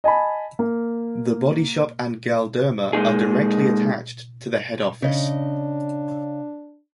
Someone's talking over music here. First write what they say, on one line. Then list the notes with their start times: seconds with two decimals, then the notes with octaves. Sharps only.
The Body Shop and Galderma are directly attached to the head office.
0.04 D#5 G#5 A5 B5
0.59 A#3
2.93 G#3 A#3 D#4 G#4
5.02 C#3 D4 D#5